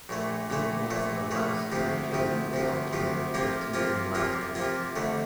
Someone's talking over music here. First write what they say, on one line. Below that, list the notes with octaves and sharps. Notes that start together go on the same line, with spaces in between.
It was the last major legal document written in Latin.
A#1 A#2 A3
A#1 A#2 A3
A#1 A#2 A3
A#1 A#2 A3
D2 C3 F3
D2 C3 F3
D2 C3 F3
D2 C3 F3
C3 F3 A#3 F4
C3 F3 A#3 F4
C3 F3 A#3 F4
C3 F3 A#3 F4
F2 D3 A3